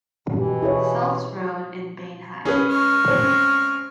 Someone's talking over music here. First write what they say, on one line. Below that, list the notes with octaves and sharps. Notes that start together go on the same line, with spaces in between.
Seltz road in Beinheim.
B2 E3 G4
E4 G#4 C#5
C#4 G#4 B4
G#3 C#6 F6
C4 C#4